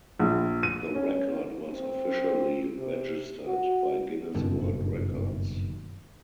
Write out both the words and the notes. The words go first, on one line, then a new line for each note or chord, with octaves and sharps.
The record was officially registered by Guinness World Records.
A#1
D#7
C#4
C4
C3
F#4
F#1 G2 B2 D#3